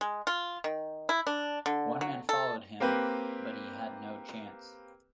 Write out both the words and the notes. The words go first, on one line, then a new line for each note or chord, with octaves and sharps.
One man followed him, but he had no chance.
G#3
F4
D#3
E4
D4
D3
F#3
A4
A#3 C4 G4 B4